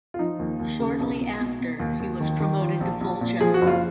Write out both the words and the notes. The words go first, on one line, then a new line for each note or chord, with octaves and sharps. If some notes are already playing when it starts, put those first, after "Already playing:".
Shortly after he was promoted to full general.
F4
F3 D#4
D#2
D#2
C#3
B1
B1
B2
B2
D#2
D#2
D#3
D#3
F3
A#1
A#1
A#2
F3 G#4
F#4
F#1
F4